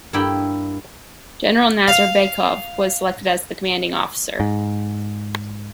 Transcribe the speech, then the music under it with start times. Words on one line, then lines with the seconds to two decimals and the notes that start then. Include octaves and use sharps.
General Nazarbekov was selected as the Commanding Officer.
0.13 G2 A#3 E4 G4 G5 B5
1.88 F5
4.40 G#2